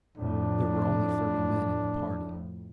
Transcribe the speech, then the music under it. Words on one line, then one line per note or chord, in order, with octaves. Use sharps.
There were only thirty men in the party.
F2 A2 D4